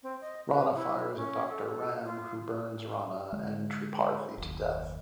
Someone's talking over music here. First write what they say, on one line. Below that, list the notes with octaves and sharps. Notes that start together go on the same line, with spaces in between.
Rana fires at Doctor Ram who burns Rana and Tripathi to death.
C4
D#5
B4
E4
C#4
A4
F4
D3 G#3
F#1 D#2